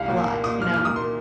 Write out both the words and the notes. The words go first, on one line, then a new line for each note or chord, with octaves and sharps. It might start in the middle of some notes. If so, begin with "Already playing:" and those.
a lot, you know?
Already playing: C2 F5
A#2
A#3
A#2 D#6
A#2 F6
A#2 F6
D#6
A#3 C6